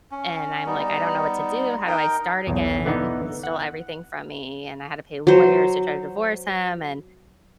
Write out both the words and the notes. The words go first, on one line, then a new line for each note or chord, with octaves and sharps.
and I'm like, "I don't know what to do, how do I start again?" He stole everything from me, and I had to pay lawyers to try to divorce him, and,
C#4
G3 B3 D#4
D#4 A#4 G5
B1 E2
D3 E3 B3 D#4
F#5
F#3 C5